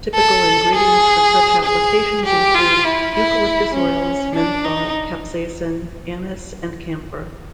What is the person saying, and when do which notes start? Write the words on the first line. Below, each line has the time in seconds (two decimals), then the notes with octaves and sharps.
Typical ingredients for such applications include eucalyptus oils, menthol, capsaicin, anise and camphor.
0.15 A4
0.75 G#4
1.65 G#4
2.25 G4
2.55 F4
2.84 E4
3.15 E4
3.74 C#4
4.34 D4
4.65 D#4